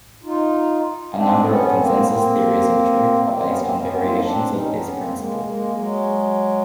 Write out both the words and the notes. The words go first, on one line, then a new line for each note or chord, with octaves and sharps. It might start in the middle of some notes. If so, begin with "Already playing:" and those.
A number of consensus theories of truth are based on variations of this principle.
D#4 F4
C4 D4
B3 C#4
A#3 C4
A#3 C4
A#3 C4
B3 C#4
A#3 C4
B3 C#4
A#3 C4
F4
E4
D#4
C4 D4
C#4 D#4
B3 C#4
A#3 C4
G#3 A#3
G#3 A#3
F#3 G#3